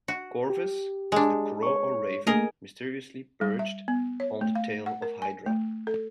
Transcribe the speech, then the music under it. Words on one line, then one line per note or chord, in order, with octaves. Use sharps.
Corvus is the Crow or Raven mysteriously perched on the tail of Hydra.
F#4
G4
G#3 D4
C#5 C#6
A3 A#3 G#4 A#4 D#5
G3
E5
B3
C#5
A3
F5
F#5
A#4
G#5
A3
A4